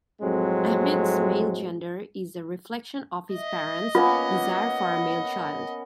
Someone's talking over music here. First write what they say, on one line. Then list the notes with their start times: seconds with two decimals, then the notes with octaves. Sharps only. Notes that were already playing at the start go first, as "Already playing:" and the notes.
Ahmed's male gender is a reflection of his parents' desire for a male child.
0.21 F2 A2 F#3 G#3 A3 C4
3.34 D#5 E5
3.95 A#3 B3 C#4 F4 F#5